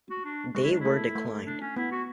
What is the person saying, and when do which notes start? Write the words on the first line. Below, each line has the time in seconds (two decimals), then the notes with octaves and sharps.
They were declined.
0.10 F#4
0.25 D4
0.55 G#3 F#4
0.63 E4
0.71 D4
0.80 E4
0.85 A3
1.15 A3
1.46 D4
1.61 C#4
1.76 B3 E4
1.92 F#4